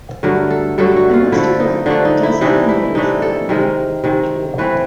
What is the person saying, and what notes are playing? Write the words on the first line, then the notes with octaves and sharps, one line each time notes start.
I must have whacked a dozen grenades that night with my tool.
G2 D3 F#3 A3 A#4
A4
G2 D3 F#3 A3 A4
F#4
F4
D3 F3 A3 E4
D#4
D3 F3 A3 D4
D#4
E4
C3 E3 A3 D4 D#4
E4
C3 E3 A3 D4 D#4
A4
C3 D#3 G#3 A#4
C3 D#3 G#3
E3 A3 C4 B4